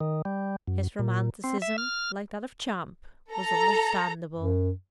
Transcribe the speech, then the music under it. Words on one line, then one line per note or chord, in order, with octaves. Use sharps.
His romanticism, like that of Champ, was understandable.
D#3
G3
F#2
A#2
C4
E5
F6
A4 A#5
F#2